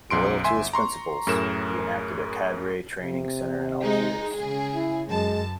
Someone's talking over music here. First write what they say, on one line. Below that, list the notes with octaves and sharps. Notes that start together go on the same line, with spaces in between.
Loyal to his principles, he enacted a cadre training center in Algiers.
B1 F#2 C6 D7
G1 E5 G#5 C6
A#5 C6 C#6
F#2 A2 G#4 A#4 E7
C3
G#3 D#4
C#3 G#4
E4
F#2 G#3 A5